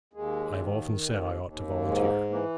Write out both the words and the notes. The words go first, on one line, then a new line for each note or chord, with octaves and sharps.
I have often said I ought to volunteer.'
D#2 G#3
D#3
D#2
D#2
G#2 G#3
E3 A#3